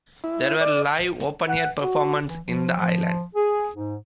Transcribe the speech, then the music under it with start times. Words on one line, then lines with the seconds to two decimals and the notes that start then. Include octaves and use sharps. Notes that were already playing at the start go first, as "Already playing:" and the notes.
There were live open-air performances in the island.
0.24 E4
0.61 D5
1.49 F#5
1.81 F#4
2.27 E3
2.46 F3
2.80 F3
3.35 G#4
3.74 G#2